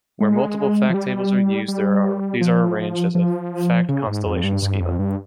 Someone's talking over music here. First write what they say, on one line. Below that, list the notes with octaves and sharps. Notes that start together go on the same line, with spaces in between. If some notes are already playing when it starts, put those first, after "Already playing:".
Where multiple fact tables are used, these are arranged as a fact constellation schema.
G#3
F3
G3
G3
F3
F3
C#3
G#2
F2
G2
G2
F2
G2